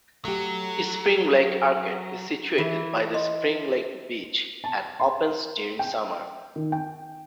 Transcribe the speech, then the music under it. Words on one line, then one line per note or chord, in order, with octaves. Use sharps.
Spring Lake Arcade is situated by the Spring Lake beach and opens during summer.
F#3 A3 G4
E3
D#5 C6
A5
C6
G5
D#3
G5